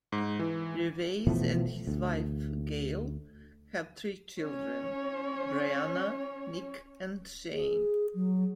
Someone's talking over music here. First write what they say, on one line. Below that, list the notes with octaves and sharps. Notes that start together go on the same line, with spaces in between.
Reveiz and his wife, Gail, have three children: Bryanna, Nick and Shane.
G#2
E3
B2 E3 F3 A3
D2
C#4 C#5
G#4
F#3